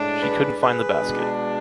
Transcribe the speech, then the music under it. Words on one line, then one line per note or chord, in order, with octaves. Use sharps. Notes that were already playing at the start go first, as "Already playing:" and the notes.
She couldn’t find the basket.
Already playing: A2 G#3 D4
G#4 B4
G#4 B4
B2 G#3 D4